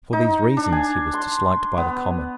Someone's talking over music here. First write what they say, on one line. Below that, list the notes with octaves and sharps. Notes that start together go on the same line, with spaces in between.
For these reasons he was disliked by the Commons.
D#4
D4
G#5
C6
B3